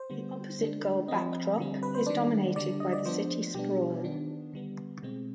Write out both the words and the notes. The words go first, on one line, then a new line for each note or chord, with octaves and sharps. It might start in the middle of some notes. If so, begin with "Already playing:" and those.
The opposite goal backdrop is dominated by the city sprawl.
Already playing: C5
D3 G3 B3
D3 G#3 D4
F3 C4 D#5
D3 G3 C4
B4
C5
D#3 G3 D4 D5
D3 G3 D4 D5
D#5
D5
F3 B3 D4 C5
B2 G3 B3 D4 G4
D#3 B3 D4
D3 G3 B3
B2 G#3 C4